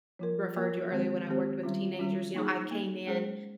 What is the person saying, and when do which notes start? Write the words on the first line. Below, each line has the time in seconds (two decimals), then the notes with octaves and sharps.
referred to earlier when I worked with teenagers, you know, I came in
0.19 F3 A#3 F4 A#4
0.56 F3 A#3 F4 A#4
0.91 D#3 G#3 C4 G4 C5
1.27 D#3 G#3 C4 G4 C5
1.63 D#3 G3 C#4 F4
1.99 D#3 G3 C#4 F4
2.35 A#3 D#4 G#4
2.71 A#3 D#4 G#4
3.07 G#3 C#4 G#4 C5